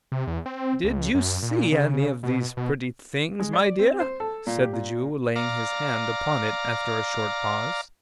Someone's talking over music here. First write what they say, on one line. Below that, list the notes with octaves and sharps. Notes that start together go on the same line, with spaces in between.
'Did you see any of these pretty things, my dear?' said the Jew, laying his hand upon it after a short pause.
C3
E2
C4
C#2
F#2
A#2
C#3
B2
B2
G#3
D5
C4
C5
A4
A#2
G4
A#2
D5 F5 A#5